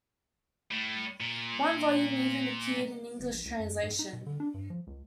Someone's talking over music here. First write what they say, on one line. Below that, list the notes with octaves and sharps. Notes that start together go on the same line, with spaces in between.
One volume even appeared in English translation.
A2
A#2
G1
A#1
C#2
F#2
G#2
D#4
B2
D3
D4
G2
F3
C#2